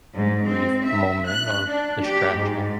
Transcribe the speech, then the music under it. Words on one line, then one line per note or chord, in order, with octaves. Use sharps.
brief moment of distraction.
G#2
C4
E5
F#6
D4
G4
G#2